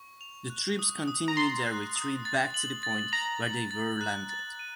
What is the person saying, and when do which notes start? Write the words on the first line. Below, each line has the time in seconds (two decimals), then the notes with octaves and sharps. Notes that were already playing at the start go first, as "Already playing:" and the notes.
The troops continued their retreat back to the point where they were landed.
Already playing: C#6
0.21 F7
0.50 F#6
0.79 D#6
1.08 D#6
1.28 A#5
1.37 C6 A6
1.66 F#6
1.96 D#6
2.25 A6
2.54 F#7
2.83 A6
3.12 A#5 F#7
3.42 F#7
3.71 A6
4.01 F#6
4.29 A6
4.59 D#7